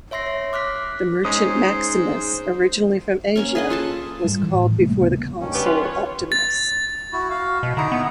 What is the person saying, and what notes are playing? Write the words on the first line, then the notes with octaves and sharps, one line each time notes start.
The merchant Maximus, originally from Asia, was called before the consul Optimus.
C#5 E5 C6 A#6 C7
C#5
D6 F6 F#6 B6
G#2 G#3 C#4 C5 D#6
A#3 C#4 A#4
G#4 B4 D#5
F4 A4 A5
G#2 G3
E3
A2
C3 G3 A3 A#3
D#2 C#3 B3
G2 D#3 C#4
B3 G4
F4 B4
E3 C#5
A6
E4 F#4
F#4 F5
B2
D3 D#4 E4 A#5
B3